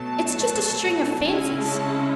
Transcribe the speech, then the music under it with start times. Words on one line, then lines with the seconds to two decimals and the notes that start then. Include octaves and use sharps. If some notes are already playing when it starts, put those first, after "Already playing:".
It's just a string of fancies.
Already playing: B2 F#3 A3 A5
1.25 C#3 G#3 C#4 E4 G#5
1.62 A5